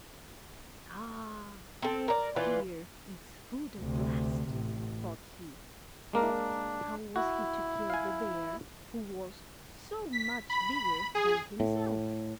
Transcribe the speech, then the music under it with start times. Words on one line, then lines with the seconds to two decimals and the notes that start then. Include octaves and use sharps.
'Ah! here is food at last!' thought he; but how was he to kill the bear, who was so much bigger than himself?
1.82 C4 A4
2.08 A#4 D5
2.36 E3 F4 B4 D5
3.80 D2 C3
4.50 A1
6.13 G#3 A#3 D4 A#4
7.16 E4 F#4
7.90 F5 G#5
10.13 B6
10.50 B5
11.15 G#4
11.60 A2